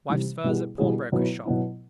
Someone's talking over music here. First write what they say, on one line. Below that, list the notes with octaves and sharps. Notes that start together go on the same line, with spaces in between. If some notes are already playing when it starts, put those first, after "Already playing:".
Wife's furs at pawnbroker's shop.
C3 E3 G3
B2 G3 B3 E4 G#4
B2 G3 B3 E4 G#4
B2 F#3 B3 E4
B2 F#3 B3 E4